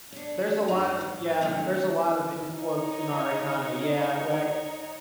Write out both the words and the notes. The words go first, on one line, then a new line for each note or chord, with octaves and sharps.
There's a lot of yeah, there's a lot of imports in our economy yeah. We yeah,
C#4 D4
F#2 C4 D#4
G#2
C3 D#3 F#3 A3 C4 D4
D#4 C#5